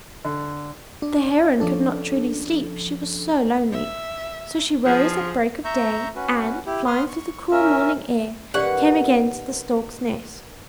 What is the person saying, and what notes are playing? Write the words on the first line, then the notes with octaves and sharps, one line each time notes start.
But the Heron could not truly sleep, she was so lonely. So she rose at break of day, and, flying through the cool morning air, came again to the Stork's nest.
D3
D4
F3 C#4 D4 A4
E5
F3 G#4
E5 A#5 C#6 G6
C#4 F#4 B4
E4 G4
B4 C6 D#6 F6
C#6
C#4 A#4 E5
D#1 C#4 G4 A#4 B4 D5 F#5